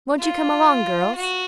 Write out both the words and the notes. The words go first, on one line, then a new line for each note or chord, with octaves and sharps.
"Won't you come along, girls?"
F4
F#4